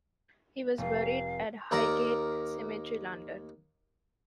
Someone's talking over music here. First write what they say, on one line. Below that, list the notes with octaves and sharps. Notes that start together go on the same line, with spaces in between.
He was buried at Highgate Cemetery, London.
F1 F5
D#2 A#4 D5 A#5